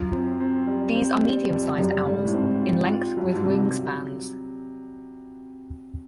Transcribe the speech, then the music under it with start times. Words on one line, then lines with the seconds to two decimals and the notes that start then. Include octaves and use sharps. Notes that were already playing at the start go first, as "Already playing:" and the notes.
These are medium-sized owls, in length with wingspans.
Already playing: F#2 F4
0.12 C4
0.40 C4
0.67 G3
0.95 C4
1.23 G3
1.50 F2 G3
1.74 G2
1.78 F#2 G3
2.06 G#2 G3
2.25 A2
2.33 G#2 C4
2.62 F4
2.89 F4
3.17 G2 F#3
3.34 G#2
3.44 G2 C3